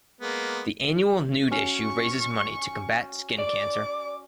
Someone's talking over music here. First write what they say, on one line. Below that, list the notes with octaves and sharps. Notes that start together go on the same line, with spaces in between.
The annual Nude Issue raises money to combat skin cancer.
G#3 A#3 B3
C#4 F#4 C#5 C#6
D5 D6